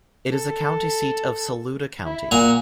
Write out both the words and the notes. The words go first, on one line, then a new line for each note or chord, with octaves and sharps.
It is the county seat of Saluda County.
A4
E4
A#2 F#5 G#5 A#5